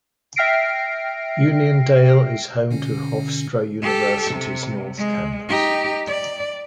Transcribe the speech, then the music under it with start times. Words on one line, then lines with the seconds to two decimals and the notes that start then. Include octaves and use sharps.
Uniondale is home to Hofstra University's north campus.
0.36 E5 G5 F6 A#6 C7 D7
2.71 B2 D3 C#4
3.82 G4 A4
4.31 C3
4.97 G#3
5.49 D#4 G4
6.07 D5